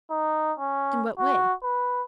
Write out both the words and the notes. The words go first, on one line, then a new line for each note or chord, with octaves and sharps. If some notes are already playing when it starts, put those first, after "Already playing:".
"In what way?"
D#4
C#4
F#4
B4